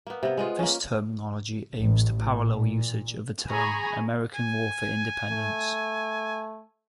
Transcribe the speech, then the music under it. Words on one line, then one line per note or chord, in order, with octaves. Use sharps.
This terminology aims to parallel usage of the term "American War for Independence".
A#3 B3
C3 B3
G#3 B3 F4
A#3 C#4
A1
A#2
G#4 G#5 A#5 B5 C#6
G#5
A3